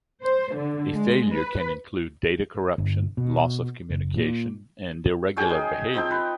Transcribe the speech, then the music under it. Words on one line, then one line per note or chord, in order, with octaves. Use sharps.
A failure can include data corruption, loss of communication, and irregular behavior.
C5
D3
G#3
B4
G1
B2
F#1
A#2
F#3 C#4 G#4 G5
D#4
F3 C4 D#4 G5
B4